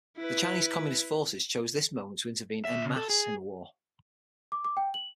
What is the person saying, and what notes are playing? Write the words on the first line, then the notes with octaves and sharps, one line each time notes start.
The Chinese Communist Forces choose this moment to intervene "en masse" in the war.
E4 B4
D#2 E5
C#3
A4
G#4
D6
D6
G5
F#7